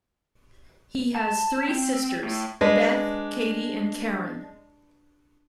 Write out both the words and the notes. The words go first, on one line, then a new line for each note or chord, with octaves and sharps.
He has three sisters, Beth, Katie and Karen.
A5
C4
A2
G#3 D4 B4